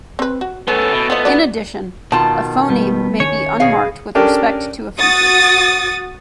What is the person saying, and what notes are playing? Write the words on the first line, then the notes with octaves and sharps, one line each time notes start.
In addition, a phoneme may be unmarked with respect to a feature.
C4 B4
F#4
A2 B3 C#4 A4 B4
B2
F3 B3 D#5
D#4 F#4 D5
B2 D#3 F4 A5
G3 B3
D#3 C#4 C#5
B2 G#4 F5
C#4 D4 G4 A4 A#4 D5
F#4 D#6 A6